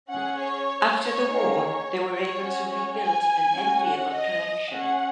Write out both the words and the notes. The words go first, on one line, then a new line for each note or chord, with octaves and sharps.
After the war they were able to rebuild an enviable collection.
C#4 G#4 F#5
C#5
C#5
A#3 D#4 G#4
C#5
C#5
C#4 F#4
C#5
G#5
C#4 F#4
F#5
D#5
C#4 G#4 F#5